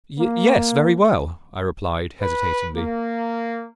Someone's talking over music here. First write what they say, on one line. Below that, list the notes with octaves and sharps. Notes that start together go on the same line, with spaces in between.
'Yes, very well,' I replied, hesitatingly.
A#3
B4
A#3